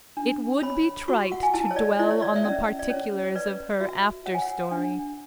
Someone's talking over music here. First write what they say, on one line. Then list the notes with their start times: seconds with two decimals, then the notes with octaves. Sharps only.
It would be trite to dwell on the particulars of her after story.
0.17 D4
0.63 C#5 B5
1.08 F#4 C#6
1.32 F#5
1.43 G#5
1.54 E4 A5
1.71 C#5
1.76 D5
1.99 E4 D5
2.11 C#5
2.22 D5
2.36 E5
2.44 C#4 D5
2.79 D5
2.90 C#4 C#5
3.24 C#5
3.35 B4 D5
3.80 F#4 E5
4.26 C#5 F#5
4.34 G#5
4.42 F#5
4.71 D4